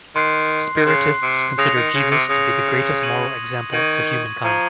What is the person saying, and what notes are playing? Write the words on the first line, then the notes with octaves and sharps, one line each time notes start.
Spiritists consider Jesus to be the greatest moral example for humankind.
D#3 C6 F#6 C7
D#3
C#3 C6 F#6 C7
C3
C#3 D#6 A#6 C#7 F7
D#3
C#3
C3
C#3 D#6 A#6 C#7 F7
C#6 G#6 D#7 F#7
D#3 C#6 G#6 D#7 F#7
F3 A#5 C#6 G#6 D#7